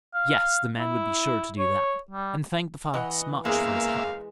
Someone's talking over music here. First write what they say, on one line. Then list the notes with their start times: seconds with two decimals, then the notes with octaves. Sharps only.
Yes! the man would be sure to do that, and thanked the Fox much for his help.
0.14 F5
0.78 E4
1.58 C#5
2.10 G3
2.94 E3 D#5 F#5
3.45 F#1 E2 G#3 A#3 G#4 E5 F5